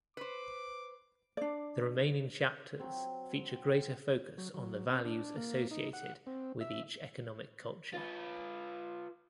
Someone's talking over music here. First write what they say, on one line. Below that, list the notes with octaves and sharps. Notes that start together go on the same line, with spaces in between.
The remaining chapters feature greater focus on the values associated with each economic culture.
B4 C5 D6
D4 D5
F#3 C4
F#3
F#3
C4
D4
A#3
D#4
F#5
C4
E5
F4 B4